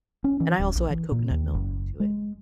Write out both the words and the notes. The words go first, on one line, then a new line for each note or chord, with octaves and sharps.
and I also add coconut milk to it.
C#4
E3
D1
A#1
E3
A#2
D#2
F#1
G#3